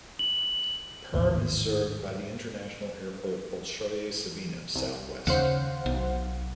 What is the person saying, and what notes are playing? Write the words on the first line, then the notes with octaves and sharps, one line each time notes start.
Perm is served by the international airport Bolshoye Savino, southwest.
F#7
G#1 D#2 A2
C2
D#2 C#3 C5 F5 F#5
B1